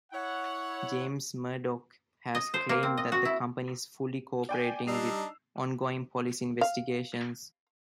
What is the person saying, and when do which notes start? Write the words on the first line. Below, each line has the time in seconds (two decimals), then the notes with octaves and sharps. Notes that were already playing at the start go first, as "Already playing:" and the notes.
James Murdoch has claimed that the company is fully co-operating with ongoing police investigations.
0.13 E4 C#5 F#5
2.35 D#5
2.54 C5
2.69 A#3
2.83 C4
2.97 D#5
3.12 F#4
3.25 E4
4.49 D5 G5 G#5
4.87 G3 D4 D#4 E6 C7 F7
6.61 F5